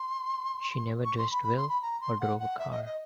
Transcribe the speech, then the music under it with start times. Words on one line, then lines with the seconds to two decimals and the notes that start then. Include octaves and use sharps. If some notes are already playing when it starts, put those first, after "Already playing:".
She never dressed well or drove a car.
Already playing: C6
1.05 C#6
1.18 C6
1.31 B5
1.44 B5
1.57 C6
1.69 B5
1.82 A#5
2.01 C6
2.21 F#5
2.39 F#5
2.59 E5
2.71 D#5
2.85 D#5